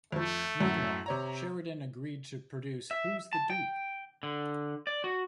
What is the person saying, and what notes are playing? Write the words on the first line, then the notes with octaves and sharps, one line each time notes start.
Meanwhile, Sheridan agreed to produce Who's the Dupe?
F2 F3 A3
F#2 A2 F#3
C3 C#5 A#5
E5
A5
G5
D3
D5
F#4